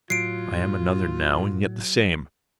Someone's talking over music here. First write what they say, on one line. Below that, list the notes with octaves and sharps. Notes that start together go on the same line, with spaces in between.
I am another now and yet the same.
A2 F#3 F4 C7 D7